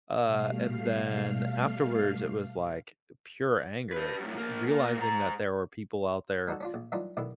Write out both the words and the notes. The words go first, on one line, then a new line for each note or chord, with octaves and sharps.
Uh, and then afterwards, it was like pure anger, s uh, realizing that there were people out there
B2 G3 A3 F5 F6 C7
G4 B4
F#2 A2
F3 A#3
A#2 A#3
G#2 A#5
G3 D4 D#4 F#4 A4
C#4 D4 F4
A#1
E3 F#3 G3 D4 D#4 F4
B1 B2 D3 D#3 E4